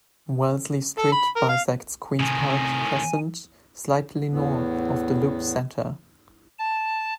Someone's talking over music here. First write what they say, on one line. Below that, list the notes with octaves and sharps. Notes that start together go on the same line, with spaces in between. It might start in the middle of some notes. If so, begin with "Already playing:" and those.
Wellesley Street bisects Queen's Park Crescent slightly north of the loop's centre.
A4
B5
A#4
F5
A2 C3 D#3 C4 G#5
E2 A2 B3
A5